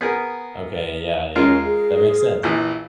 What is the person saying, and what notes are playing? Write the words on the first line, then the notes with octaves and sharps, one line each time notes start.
Okay, yeah, yeah, yeah. That makes sense.
B3 G#4 A#4
G#3 C#4 F4 A#4
G#4
A#1 E3